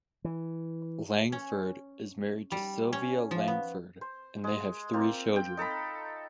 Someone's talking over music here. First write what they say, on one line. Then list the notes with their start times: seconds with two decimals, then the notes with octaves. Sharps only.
Langford is married to Sylvia Langford and they have three children.
0.24 E3
1.32 C#4
2.52 G3
2.93 C#4
3.31 F3
3.48 B3
4.01 C5
4.44 G#3
4.93 A#3 C4 F4
5.36 G5
5.57 D#4 A4 A#5 B5